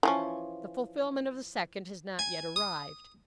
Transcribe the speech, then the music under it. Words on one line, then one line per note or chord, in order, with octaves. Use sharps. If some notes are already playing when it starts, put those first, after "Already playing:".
The fulfilment of the second has not yet arrived.
E3 F3 C#4
G#5
D#6